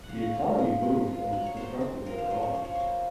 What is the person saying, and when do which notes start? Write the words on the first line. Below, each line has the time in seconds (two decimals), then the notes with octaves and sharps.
The economy boomed and was disrupted later on.
0.04 F#5
0.09 C#4 F5
0.22 F#5
0.34 F4 F5
0.58 F3 D#5
0.83 G#3
1.07 F4
1.33 F#3
1.46 C#5
1.57 F#3 C5
1.81 C4
2.06 F4 A#4
2.18 C5
2.30 F3 C5
2.43 C#5
2.55 F3 C5
2.65 C#5
2.75 A#3 C5